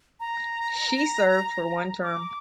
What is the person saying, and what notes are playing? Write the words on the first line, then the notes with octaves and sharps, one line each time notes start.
She served for one term.
A#5
D6